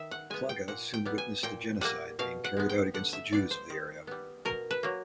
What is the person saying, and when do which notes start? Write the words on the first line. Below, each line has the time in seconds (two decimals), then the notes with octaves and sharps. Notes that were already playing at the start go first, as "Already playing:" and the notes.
Plagge soon witnessed the genocide being carried out against the Jews of the area.
Already playing: D#3 E5
0.11 F#5
0.30 G#3 B3 G#5
0.49 G5
0.68 A#2 F#5
0.94 G5
1.05 G3 B3
1.18 G#5
1.43 A#2 G5
1.81 G3 A#3 F#5
2.19 B2 F5
2.44 F#5
2.57 G#3 B3
2.69 G5
2.94 D3 F#5
3.13 E5
3.32 G3 B3 D5
3.51 C5
3.70 D#3
4.07 G3 B3
4.45 B2 A#4
4.71 B4
4.83 F#3 A#3